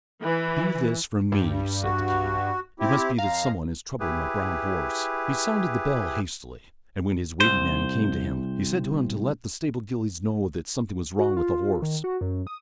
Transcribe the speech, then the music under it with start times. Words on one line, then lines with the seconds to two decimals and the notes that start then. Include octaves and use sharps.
"Be this from me," said the king; "it must be that some one is troubling my brown horse." He sounded the bell hastily, and when his waiting-man came to him, he said to him to let the stable gillies know that something was wrong with the horse.
0.22 E3
1.32 G2
1.83 F#4
2.80 C4 E4 G4
3.18 F2 F5 A#5
4.00 E4 G4 G#4 B4
7.40 C2 C5
11.19 F#4
11.37 F4
11.82 D#3
12.04 F#4
12.21 F#2
12.47 D#6